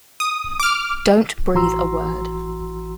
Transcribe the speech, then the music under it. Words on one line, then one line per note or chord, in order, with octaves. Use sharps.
Don't breathe a word!
D#6
D6 F6
A1 E3 F#4 A#5 C6 E6